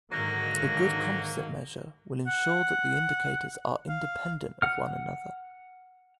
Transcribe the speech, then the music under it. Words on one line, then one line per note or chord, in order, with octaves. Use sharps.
A good composite measure will ensure that the indicators are independent of one another.
G#2 D3 D#3 F#3 A#3 A#6
F#5
F5
F#5 F6